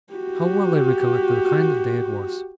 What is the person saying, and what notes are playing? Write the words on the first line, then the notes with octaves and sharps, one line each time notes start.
How well I recollect the kind of day it was!
F#4 G4